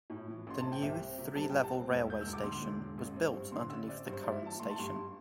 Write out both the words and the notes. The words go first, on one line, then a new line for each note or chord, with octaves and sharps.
The new, three-level, railway station was built underneath the current station.
A2
E3
A1 C6
C4 A5
G5
C2 E5
C4
C3
G3 A5
C2 G5
A5
C4
E1
E1 G6
E6
D2
D6
D3 C6
E1
E1
A1
C4
G2
D3 C6
A1 E6
C4 D5
G2
C5
G2 D5
E5
E3 A5
A3 C6
A5
G2 C6
G2